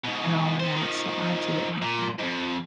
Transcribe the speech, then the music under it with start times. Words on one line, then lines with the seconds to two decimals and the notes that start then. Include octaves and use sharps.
and all of that so I did like that.
0.05 G#2 B2
0.60 B3 C5
0.76 D#3 F3
1.82 A#2
2.19 F2 G#2